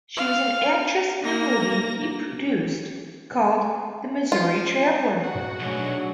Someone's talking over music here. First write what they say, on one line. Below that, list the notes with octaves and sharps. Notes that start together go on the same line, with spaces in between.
She was an actress in a movie he produced, called "The Missouri Traveler".
F5
A#3 A#6
F4
F#4
B1 F#3 A3 D4 G#4